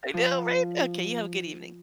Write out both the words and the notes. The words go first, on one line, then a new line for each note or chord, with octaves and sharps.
I know, right? Okay, you have a good evening.
F3